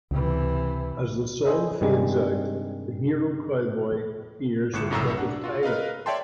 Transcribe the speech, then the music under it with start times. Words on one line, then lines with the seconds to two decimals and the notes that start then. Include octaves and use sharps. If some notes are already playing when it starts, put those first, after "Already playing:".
As the song fades out, the hero cowboy appears in front of Tyler.
0.11 C#2 C3 E3
1.45 E4 G#4 C5 D#5 E5
1.81 G2 C3 D#3 G3 G#3
4.73 G1 A2 F#6 C#7 E7
4.91 C2 F#2 A2 C#3 A#5 E6
5.17 D4 F#5
5.44 F4 F#4
5.63 A#4 B4 D#5 F5
6.06 C#5 D5 E5 G5 A5 C6